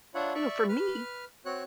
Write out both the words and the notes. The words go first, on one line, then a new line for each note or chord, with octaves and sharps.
You know, for me,
D4 F4 C#5 E5 F#5 B5
D5 E5 C#6
B4 F6
C4 F#4 C#5 F#6